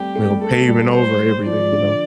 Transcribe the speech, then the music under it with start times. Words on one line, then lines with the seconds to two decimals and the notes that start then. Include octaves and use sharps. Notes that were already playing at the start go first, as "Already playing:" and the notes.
you know, paving over everything, you know?
Already playing: G3 A3 C4 G4
0.16 A3
0.30 G3
0.41 A3 A4
0.68 G3
0.93 C5
1.46 F3 D5
1.72 D3